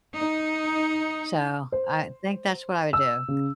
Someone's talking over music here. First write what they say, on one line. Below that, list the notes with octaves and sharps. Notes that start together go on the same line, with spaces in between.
So I think that's what I would do,
D#4
C5
E6
C#3